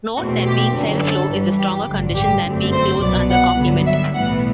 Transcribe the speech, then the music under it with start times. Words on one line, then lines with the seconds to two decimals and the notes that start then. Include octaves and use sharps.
Note that being self-low is a stronger condition than being closed under complement.
0.17 E2 B2 A3 C4 F#4
0.45 G4
0.74 G1 F#2 D3
1.03 A4
1.31 G2 E3 G3
1.59 G4
1.88 A1 G2 D3 F#3
2.15 G4
2.44 G1 F#2 D3 A3 C4
2.73 C5
3.01 C2 B2 F#3 B3 D5
3.30 F#5
3.58 G2 D3 F#3 B3
3.86 E5
4.15 B1 A2 E3 G3 B3 F#5